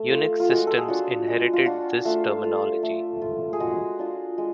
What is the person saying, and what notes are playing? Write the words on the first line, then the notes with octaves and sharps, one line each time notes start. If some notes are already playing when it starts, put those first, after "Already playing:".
Unix systems inherited this terminology.
Already playing: A3
F4
F4
G#3 F#4
A4
G#4
D4 F4 F#4
G#3
F4
D4 F4 F#4
A3 F4
F4
A3
F4
G#4
G#3 F#4
D4 F4
G#3